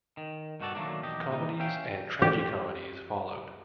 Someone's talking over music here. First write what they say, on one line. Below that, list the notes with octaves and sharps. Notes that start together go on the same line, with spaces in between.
Comedies and tragi-comedies followed.
D#3
G2 B2 D#3 F#4 A4 D5
D#3 F#3 A3 A#3 D4
B1 E2 G4 D#5
A#2 G3 D#4
C#4 G4 E5 F5 G5
G4